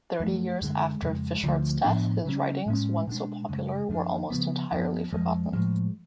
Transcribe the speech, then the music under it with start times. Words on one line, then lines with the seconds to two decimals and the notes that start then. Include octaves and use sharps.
Thirty years after Fischart's death, his writings, once so popular, were almost entirely forgotten.
0.20 F#2 F3 A3
0.62 F#2 D3 G#3
1.02 F2 C#3 G#3
1.43 D2 D3 F3 A3
1.84 A2 F3 B3 D4
2.25 C#3 F#3 C#4
2.66 A2 G#3 C#4
3.07 B2 G#3 D4
3.49 F#2 C#3 G#3
3.89 F#2 F3 B3 D4
4.30 C#3 F3 B3
4.72 F#2 F3 B3
5.13 F2 F3 G#3
5.53 A2 F3 G#3